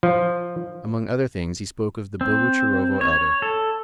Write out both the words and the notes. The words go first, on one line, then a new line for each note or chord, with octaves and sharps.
Among other things he spoke of the Bogucharovo elder.
F3
C4
C#5
A4